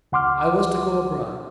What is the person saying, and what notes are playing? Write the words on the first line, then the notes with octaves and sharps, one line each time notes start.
I was to go abroad.
C#2 F#5 C6 D6 F6